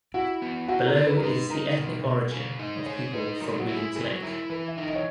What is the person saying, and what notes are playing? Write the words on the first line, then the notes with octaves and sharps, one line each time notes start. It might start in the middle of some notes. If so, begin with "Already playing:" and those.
Below is the ethnic origin of people from Williams Lake.
E4 F#4
B3
E4 F#4
A#4
G#4
B4
A#4
D#4 B4
D#4 A#4
B2
B2
G#4
D#4
G#4 C#5
D#4 B4
F#3 A#4
F#4
E4
G#4
F#3 G#4
E4 A#4
E3 B4
E5
D#4
D#5
C#5